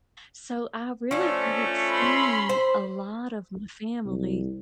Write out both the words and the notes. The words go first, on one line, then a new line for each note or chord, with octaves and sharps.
so I really haven't seen a lot of my family
F3 A3 C#4 D4
B5 C6
C5
C2